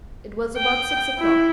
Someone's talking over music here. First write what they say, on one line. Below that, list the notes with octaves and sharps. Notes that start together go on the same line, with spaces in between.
It was about six o'clock.
G5
E4